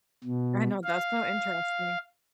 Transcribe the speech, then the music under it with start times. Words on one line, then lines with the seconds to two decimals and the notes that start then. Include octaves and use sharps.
I know, that's so interesting.
0.24 B2
0.84 F5